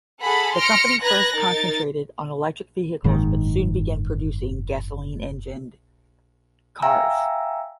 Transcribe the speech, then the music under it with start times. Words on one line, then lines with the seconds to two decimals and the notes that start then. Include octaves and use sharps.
The company first concentrated on electric vehicles but soon began producing gasoline-engined cars.
0.22 G#4 A4 F#5 B5
0.57 C6 F6 A#6 C#7 D7
1.04 B4 A#5 F#6 G#6 A#6
1.35 D#4 A#4 A6
3.04 F#1 G#2 D#3
6.82 E5 F5 G5 G#5 A#5 E6